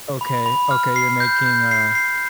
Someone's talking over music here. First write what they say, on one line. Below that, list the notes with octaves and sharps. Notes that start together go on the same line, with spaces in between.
okay, okay, you're making a
B5
B5
F6
C7
G6
G6
C7
C7